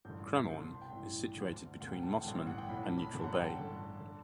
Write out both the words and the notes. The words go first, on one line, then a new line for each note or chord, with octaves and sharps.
Cremorne is situated between Mosman and Neutral Bay.
A1 G2 D3 G6
C2 B2 G6
C6
A5
G5
A1 G2 E3
D2 D3
E1 D2 C3 F#5
G5
A5
G5
A1 G2 D3 G5
F#5
G5
B1 A2 E3 B5
A5
B5
G1 F#2 D3 A5
F#5
G5
A5
A1 G2 D3
D3